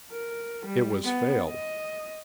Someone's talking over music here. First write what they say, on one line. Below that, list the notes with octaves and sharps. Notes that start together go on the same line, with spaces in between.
"It was Fayle."
A#4
G3
B3
D#5